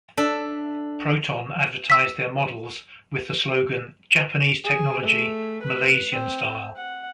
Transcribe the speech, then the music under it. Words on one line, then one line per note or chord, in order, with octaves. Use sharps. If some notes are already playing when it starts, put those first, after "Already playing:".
Proton advertised their models with the slogan "Japanese Technology, Malaysian Style".
D4 A4 E5
E6 B6
G#4
A3
B4
C4
F#5